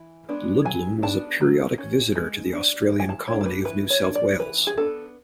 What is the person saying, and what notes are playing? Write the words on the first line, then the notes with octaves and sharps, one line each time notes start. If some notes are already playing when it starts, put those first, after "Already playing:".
Ludlam was a periodic visitor to the Australian colony of New South Wales.
Already playing: E3
G#3 B3 D4
F#3 G#5
B3 D4 A5
F#3
C#4
G#3
D4
E3
G#5
A5
A3 C#5
D4
A4
B4
E3 B4
C#5
A3 D4
D5
E3 B4
G#4
B3 D4 A4